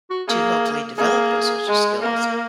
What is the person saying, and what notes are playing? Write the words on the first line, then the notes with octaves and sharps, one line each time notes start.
to hopefully develop those social skills,
F#4
A#3 G#4
A#3 G#4
G#3
A#3 A#4